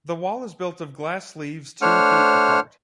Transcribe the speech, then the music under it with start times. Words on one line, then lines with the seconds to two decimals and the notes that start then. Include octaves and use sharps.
The wall is built of glass leaves two feet apart.
1.82 A3 D4 C5 C#5 F#5 F6